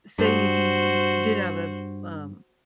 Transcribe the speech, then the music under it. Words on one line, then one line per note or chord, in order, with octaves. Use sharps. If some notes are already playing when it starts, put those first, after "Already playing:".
say if you w did have a, um,
G2 F#4 C5